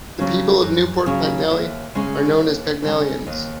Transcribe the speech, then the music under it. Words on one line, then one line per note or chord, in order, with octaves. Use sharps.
The people of Newport Pagnell are known as Pagnellions.
C#3 F#3 C#4
F#2
C#3 F#3 C#4
D#2 E5
C#3 G#3 C#4
D#2
C#3 G#3 C#4
D#2 D#5